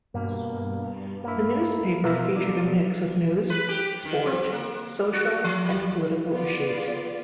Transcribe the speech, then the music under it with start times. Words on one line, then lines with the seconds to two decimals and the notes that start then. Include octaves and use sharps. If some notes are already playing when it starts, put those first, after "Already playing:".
The newspaper featured a mix of news, sport, social and political issues.
0.14 G2 B2 A#3
1.24 A#3 E4
2.04 B2 F4 A#4 E5
2.36 D4
3.50 B4
3.68 G4
4.05 D#3
4.26 C4
4.53 A#3
5.13 F#4
5.44 F3
5.65 G3
6.32 B3 F4 D5